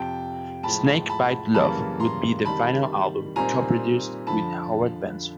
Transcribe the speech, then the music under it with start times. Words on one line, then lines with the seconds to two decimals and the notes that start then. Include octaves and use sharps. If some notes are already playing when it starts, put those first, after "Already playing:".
"Snake Bite Love" would be the final album co-produced with Howard Benson.
Already playing: F2 C3 F3 G5 A5
0.63 A2 F3 G#3 A5 B5
1.09 A5 B5
1.54 F#2 C#3 E3 G3 A#3 A5 B5
2.00 A#5 C6
2.45 C3 D#3 G3 A5 B5
3.36 A#2 G3 C4 D#4 G#5 A#5
4.27 F2 D3 F3 A5 B5